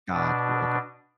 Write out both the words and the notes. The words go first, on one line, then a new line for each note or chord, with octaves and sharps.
Got you. Okay.
B2 D4